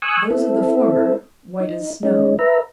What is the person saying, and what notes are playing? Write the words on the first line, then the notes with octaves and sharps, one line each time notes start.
Those of the former white as Snow.
G#5 C#6 D#6 E6 F#6
C4 E4 A4
D#4
G#3 C#4 D#4
B4 E5 A#5